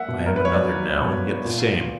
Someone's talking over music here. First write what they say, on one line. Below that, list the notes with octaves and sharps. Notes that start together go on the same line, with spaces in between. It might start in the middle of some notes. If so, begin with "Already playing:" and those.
I am another now and yet the same.
Already playing: A#3 E5 F#5
B2
A#4
B4
C#5
F#3 D5
B2
A#2